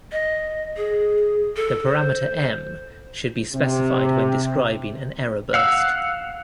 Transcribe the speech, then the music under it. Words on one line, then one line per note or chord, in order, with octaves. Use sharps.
The parameter "m" should be specified when describing an error burst.
D#5
G#4
A4
C5
C3
F5 F#5 E6